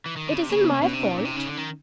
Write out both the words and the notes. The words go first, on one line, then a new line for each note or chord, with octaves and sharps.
It isn't my fault.
E3
D#3
D3
C#3
C3
C#3 A#3
B3
C3 A#3 C4
B2 B3 C#4
C3 C4 D4
B2 C#4 D#4
A#2
C3
C#3
D3
D#3